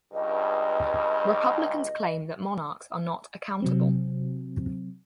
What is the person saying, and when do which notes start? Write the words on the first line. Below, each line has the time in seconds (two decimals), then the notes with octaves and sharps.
Republicans claim that monarchs are not "accountable".
0.13 C#2 G2 D#5
3.62 C3 F#3 C4